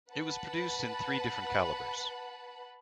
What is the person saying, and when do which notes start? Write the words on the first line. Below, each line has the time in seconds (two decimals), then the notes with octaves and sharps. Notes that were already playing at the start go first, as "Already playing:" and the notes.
It was produced in three different calibers.
0.13 B4 F#5 A5 B5